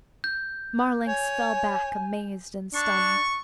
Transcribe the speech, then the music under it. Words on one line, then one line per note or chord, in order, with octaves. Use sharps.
Marlanx fell back amazed and stunned.
G6
C#5 G#5
D4 C#6